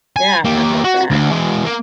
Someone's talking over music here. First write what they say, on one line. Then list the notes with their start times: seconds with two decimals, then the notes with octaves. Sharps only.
Yeah, I love that.
0.16 G#5
0.45 A#3 G4
0.84 F#4
1.10 D2
1.31 E3 G#3
1.65 A#3